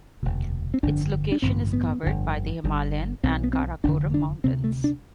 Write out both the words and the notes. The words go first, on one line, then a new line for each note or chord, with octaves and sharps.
Its location is covered by the Himalayan and Karakoram mountains.
E1 D2 C3
C4
G1 F2 D3 D4
D4
A1 G2 D3 C4
B3
G1 F2 D3
G1 G2 D3
B1 B2 C4
B3
C4
F1 E2 D3 D4
D4
D2 C3 C4
A3
D4